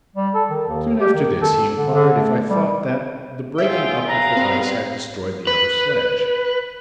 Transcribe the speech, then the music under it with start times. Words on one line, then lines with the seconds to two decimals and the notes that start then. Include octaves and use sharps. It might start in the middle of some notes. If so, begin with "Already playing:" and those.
Soon after this he inquired if I thought that the breaking up of the ice had destroyed the other sledge.
0.16 G3
0.34 A4
0.50 D#3
0.68 D#2
1.01 G4
1.14 D#3
1.41 A4
1.75 D3
1.93 D3
2.16 A3
2.49 G3
3.58 F#3 F4 G#4 E5 G5
4.08 B4 F5 A#5
4.37 G3 B3 C4
5.47 B4